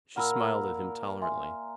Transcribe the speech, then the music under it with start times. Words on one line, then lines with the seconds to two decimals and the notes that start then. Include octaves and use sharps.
She smiled at him tolerantly.
0.16 A#2 A#4 F#5 B5 E6
1.22 E5 G#5 C6